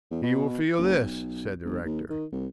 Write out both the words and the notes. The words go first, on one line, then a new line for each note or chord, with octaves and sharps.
"He will feel this," said the rector.
E2
B2
F#1
B1
G1
D#2
D#3
C2